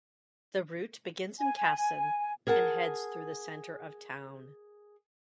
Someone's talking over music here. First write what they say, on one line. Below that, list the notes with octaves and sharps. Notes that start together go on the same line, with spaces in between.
The route begins in Kasson, and heads through the center of town.
G#5
G#4 A#4 F#5 G5 A5